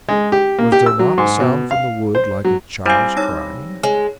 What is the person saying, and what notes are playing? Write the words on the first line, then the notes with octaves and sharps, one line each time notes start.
Was there not a sound from the wood like a child's crying?
G#3
G4
A#3
G4
E6
F#3
G#2
B2
F5
C5
F#3
G3 C4 E4 C5 F5 G#5
D#4 C#5 E6 A#6
G#3 C#5